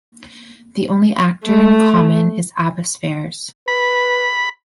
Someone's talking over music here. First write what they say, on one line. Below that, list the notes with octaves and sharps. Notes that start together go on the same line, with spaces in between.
The only actor in common is Abbas Fares.
A3
B4 B5